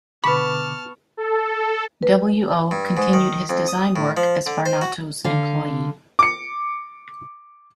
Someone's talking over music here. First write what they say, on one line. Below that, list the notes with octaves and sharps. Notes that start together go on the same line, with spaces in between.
W. O. continued his design work as Barnato's employee.
B2 D3 B3 A5 B5 C#6 D6 F6
A4
B4
G2
G#2
D#3
F2
D#6
A2
F3
D3
C5
F#4
D3 F5
D6 C#7